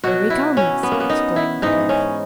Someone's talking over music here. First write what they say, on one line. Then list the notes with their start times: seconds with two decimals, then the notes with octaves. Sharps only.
"There he comes!" exclaimed Bluff.
0.04 B2 F#3 F#4
0.30 E4
0.57 C#4
0.83 B3
0.92 A#3
1.00 B3
1.10 D#4
1.36 E4
1.62 G#2 E3 D#4
1.89 C#4